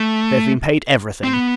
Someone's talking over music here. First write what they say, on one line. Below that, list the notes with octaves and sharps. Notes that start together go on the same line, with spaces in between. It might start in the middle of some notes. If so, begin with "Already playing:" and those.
They have been paid every thing.
Already playing: A3
C4
B3